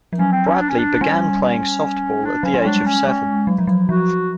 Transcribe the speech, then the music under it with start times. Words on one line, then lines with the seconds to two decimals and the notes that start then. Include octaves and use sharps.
Bradley began playing softball at the age of seven.
0.13 F3
0.18 F#3 C#4
0.32 C4
0.46 C#4
0.60 D4
0.69 C#4
0.78 D4
1.01 G3 C#4
1.42 C#4
2.24 D4
2.43 F#3 C#4
2.54 G3
2.60 C#4
2.65 G#3 D4
2.86 C#4
3.07 G#3 C#4
3.47 F#3
3.58 F3
3.67 F#3
3.88 F3 F#4